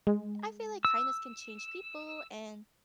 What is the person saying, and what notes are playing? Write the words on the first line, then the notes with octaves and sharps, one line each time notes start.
I feel like kindness can change people, and
G#3
E6